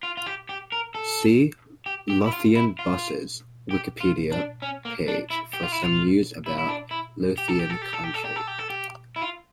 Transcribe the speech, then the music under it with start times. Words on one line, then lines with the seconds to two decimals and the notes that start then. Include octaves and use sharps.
See Lothian Buses wikipedia page for Some news about lothiancountry.
0.03 F4
0.17 F4
0.26 G4
0.49 G4
0.72 A#4
0.95 A4
1.86 G4
2.10 G4
2.26 E4
2.33 F4
2.56 E4
2.79 F4
3.71 G4
4.01 F4
4.32 D4
4.62 C#4
4.85 A#3
5.08 D4
5.30 E4
5.53 G4
5.63 F4
5.72 E4
5.82 F4
6.46 E4
6.58 E4
6.68 D4
6.91 E4
7.38 G4
7.48 A4
7.59 G4
7.70 A4
7.82 G4
7.93 A4
8.04 G4
8.14 A4
8.25 G4
8.36 A4
8.47 G4
8.59 A4
8.70 G4
9.16 E4
9.22 F4